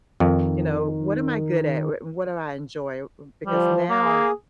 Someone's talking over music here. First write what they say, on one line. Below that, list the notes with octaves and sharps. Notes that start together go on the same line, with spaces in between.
you know, "What am I good at? R what do I enjoy?" Because now
F2 D#3
F3 G3
A#3
G#4